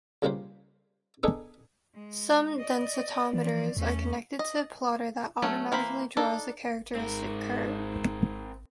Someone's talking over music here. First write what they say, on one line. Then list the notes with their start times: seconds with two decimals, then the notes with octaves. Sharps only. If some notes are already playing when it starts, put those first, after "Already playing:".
Some densitometers are connected to a plotter that automatically draws the characteristic curve.
0.22 C#2 C#3 G3 A#3 B4 C5
1.23 B3 D4 D#4 G#4 A4 B4
1.94 G#3
2.59 D5 D#5
3.33 E3 F3 D5
3.77 E2 A3 C#4
4.39 D#5
5.42 F#3 A3 C#4
5.72 E3 A#3 C5 B5
6.17 D4 D#4 A4
6.95 G#2 C4 A#4